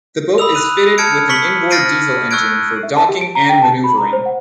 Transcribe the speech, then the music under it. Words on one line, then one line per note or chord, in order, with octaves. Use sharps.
The boat is fitted with an inboard diesel engine for docking and manoeuvring.
B5 D#6 E6 F7
F#6 D#7
A5 F6 G#6 C#7 D7
C#6 B6 C#7 F#7
F6 A6 A#6 C7 D7 D#7
C#6 E6 F#6 G#6 D7
E5
A5
G4
D7
A#5
G5
A5
B5
A#5
C5
F#5